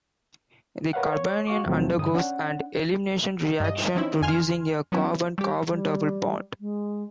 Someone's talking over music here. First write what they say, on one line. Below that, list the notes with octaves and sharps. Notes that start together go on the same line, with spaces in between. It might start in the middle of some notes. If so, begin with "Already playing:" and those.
The carbanion undergoes an elimination reaction producing a carbon-carbon double bond.
A#4 B4 C#5 F5 F#5
C#5
F#4 F5 C#6 D6
D#2 B2 F3 F#3 A3 C4
G2 D3 E3 D#6
C#4 D4 F#5
G2 D#5
E3 C4 C#4 D#4 E4
F2 D3 G#5 C6 F6
F#3 B3 C#4 E4
G3 G4
G3
G#3